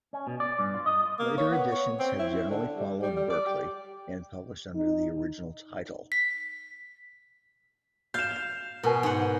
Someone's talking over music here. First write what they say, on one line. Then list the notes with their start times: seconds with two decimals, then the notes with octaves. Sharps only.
Later editions have generally followed Berkley and published under the original title.
0.13 C#4
0.27 B2
0.40 D5
0.59 G2
0.74 F4
0.86 D#5
1.19 A#3
1.38 C#5
1.51 B3
1.72 C#5
1.99 C4
2.19 E4
2.50 D3
2.75 G3
3.02 G3
3.16 G3
3.30 D5
3.46 G4
4.75 D#4
6.12 B6
8.14 F5 G6 E7
8.83 B2 A#4 G#5
9.03 G#2 F#5